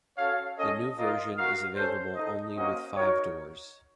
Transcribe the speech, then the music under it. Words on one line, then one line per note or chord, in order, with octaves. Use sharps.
The new version is available only with five doors.
C#4 F#4 A4 C#5 F5
C#4 A4 D#5
F4 A#4 D#5
F#4 A#4 F5
C#4 A4 C5
D#4 A4 D#5
A#3 C#4 F#4 C5 D#5
D#4 F#4 A#4 C#5